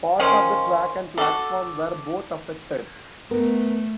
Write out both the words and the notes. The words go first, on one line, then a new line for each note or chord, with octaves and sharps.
Parts of the track and platform were both affected.
D#3 F3 C#4 F5 G#5 C6
F#4 A4 D6
A3 B3 A#4